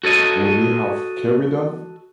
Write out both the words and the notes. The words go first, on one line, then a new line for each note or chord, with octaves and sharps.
Would we have carried on?
F#4 A4 C#5 D#5